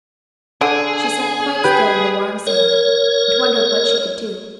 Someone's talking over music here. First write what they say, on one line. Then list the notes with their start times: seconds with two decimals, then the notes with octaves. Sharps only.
She sat quite still in the warm sand, and wondered what she could do.
0.61 D3 G#4
1.64 G4 B4
2.47 A#4 C#5